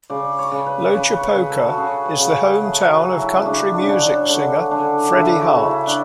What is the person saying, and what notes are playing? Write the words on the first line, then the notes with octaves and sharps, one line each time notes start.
Loachapoaka is the home town of country music singer Freddie Hart.
C#3 D5
C#5
C#3
B4
C#3 B4
C#5
B4
C#3
A4
F#4
C#3 G#4
B4
C#3
A3 G#4
F#4
F#3
E4
C#4
C#3 D4
D4
C#4
C#3 D4
D4
D3 C#4
D3 D4
C#3 D4 E4
F#4
C#3
E4
D4